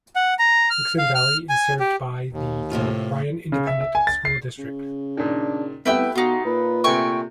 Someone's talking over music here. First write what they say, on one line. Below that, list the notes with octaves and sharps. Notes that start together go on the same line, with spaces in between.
Wixon Valley is served by the Bryan Independent School District.
F#5
A#5
F6
F5
F6
G#5
G4
D#2
A2 C3 A#3 F4
C#3
E5
E5
G#5
A6
C7
C#3
A#2 D#3 D4
C2 A3 B3 E4 G4 B4 G5 E6
B2 D#4 F4 F#4
A#2 B4
C3 A3 G5 G#5 C#6